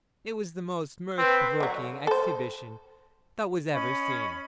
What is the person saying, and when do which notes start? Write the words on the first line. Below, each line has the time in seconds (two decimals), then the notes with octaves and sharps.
It was the most mirth-provoking exhibition that was ever seen.
1.18 C4 B4
1.60 D3 F#3
2.07 A4 C5
3.72 C#4 D#5 B5